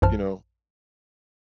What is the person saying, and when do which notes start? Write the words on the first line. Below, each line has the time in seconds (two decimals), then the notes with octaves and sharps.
you know,
0.02 A#1 F#2 E3 C5 A5 F6